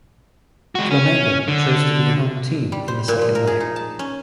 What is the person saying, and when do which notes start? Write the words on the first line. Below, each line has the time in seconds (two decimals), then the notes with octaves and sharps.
Flamengo chose to be home team in the second leg.
0.75 G#3 F#4
0.91 C#4
1.48 D3
2.72 G3
2.88 C5
3.08 A#2
3.21 F3
3.35 A#4
3.47 G#4
3.60 D#4
3.76 A5
3.99 C#4